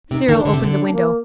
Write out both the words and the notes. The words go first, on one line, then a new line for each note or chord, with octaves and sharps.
Cyril opened the window.
C3 D#4
D#3 D4
D3
C3
D3
D4
A#3